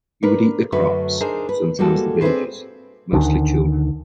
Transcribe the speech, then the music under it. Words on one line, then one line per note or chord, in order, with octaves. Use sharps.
He would eat the crops and sometimes the villagers, mostly children.
D4 A#4 B4
F#2 D3 A3 D4 F#4 B4
D4 D#4 G#4 A#4 C5
B4
G3 G#3 A#3 F#4 A4
C4 D4 F4 G#4 B4 C5
D2 D3 D#3